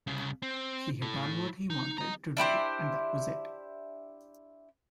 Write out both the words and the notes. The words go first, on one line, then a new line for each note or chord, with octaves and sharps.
He had done what he wanted to do and that was it.
C2 C#3
C4
E4 A4
D#4
D#5 A#5
D4 E4 G4 C5